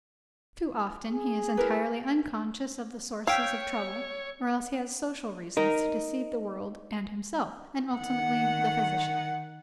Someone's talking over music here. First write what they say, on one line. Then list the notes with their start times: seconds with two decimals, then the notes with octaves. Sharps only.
Too often he is entirely unconscious of the sources of trouble or else he has social reasons to deceive the world and himself, and ultimately the physician.
1.11 G#4
1.57 E4 A#4 B4
3.27 C#5 F5 G5 E6 B6
5.57 D#4 A#4
7.98 D#3 F#5